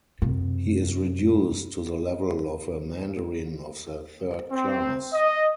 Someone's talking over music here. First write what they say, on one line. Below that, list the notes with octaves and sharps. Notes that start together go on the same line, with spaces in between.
He is reduced to the level of a mandarin of the third class.
F#2 C3
C4
D#5